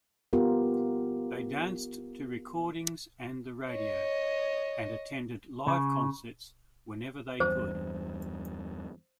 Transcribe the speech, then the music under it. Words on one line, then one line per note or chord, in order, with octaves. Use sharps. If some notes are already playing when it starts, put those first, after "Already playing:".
They danced to recordings and the radio, and attended live concerts whenever they could.
B3 F4 G4 A#4
C#5 D#5
C#3
E2 G2 C5